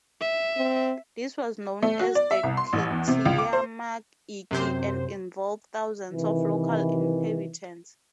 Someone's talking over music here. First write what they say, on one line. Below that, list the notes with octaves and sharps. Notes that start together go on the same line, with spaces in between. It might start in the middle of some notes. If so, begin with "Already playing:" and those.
This was known as the "Kitayama Ikki" and involved thousands of local inhabitants.
E5
C4
A3
F#4
D5
E5
C2
C6
A1
E2
C3
C#2
D6
C5
F#2 C3 C5
C3 D#3 E3